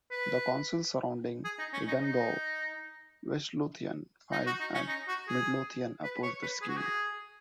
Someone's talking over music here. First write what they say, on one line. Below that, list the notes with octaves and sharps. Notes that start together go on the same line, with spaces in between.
The councils surrounding Edinburgh - West Lothian, Fife and Midlothian - opposed the scheme.
B4
G#4
D#4
C#4
D#4
D#4
D#4
F#4
D#4
C#4
D#4
F#4
G#4
B4
C#5
B4
G#4
F#4
G#4